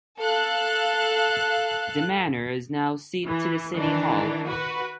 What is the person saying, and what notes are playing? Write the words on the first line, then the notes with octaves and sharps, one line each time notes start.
The Manor is now seat to the city hall.
A4 F5 F#6
E3
D#3 E3 D4
F#4 B4